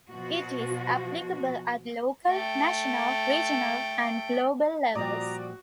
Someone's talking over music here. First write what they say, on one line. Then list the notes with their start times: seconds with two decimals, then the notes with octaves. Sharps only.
It is applicable at local, national, regional and global levels.
0.10 B2 F3 F#4
2.28 A3 G5
4.95 A#2 F3 G3 F#4 D5 A#5 D6 D#6